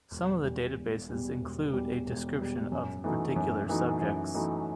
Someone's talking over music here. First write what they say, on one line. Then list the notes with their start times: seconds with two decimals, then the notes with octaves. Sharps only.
Some of the databases include a description of the particular subjects.
0.11 E1
0.43 E2 B2 G3
0.76 E1
1.09 E2 B2 G3
1.41 E1
1.73 E2 B2 G3
2.06 E1
2.39 E2 B2 G3
2.72 F#2
3.04 E3 A3 D#4 F#4
3.36 F#2
3.69 E3 A3 D#4 F#4
4.02 F#2
4.35 E3 A3 D#4 F#4